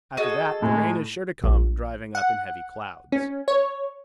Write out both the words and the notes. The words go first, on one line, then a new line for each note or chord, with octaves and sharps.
After that the rain is sure to come driving up in heavy clouds.
F#4 G#4 A4 D#5
A2 G#3 A3
A#1
F#5
C#4
C#5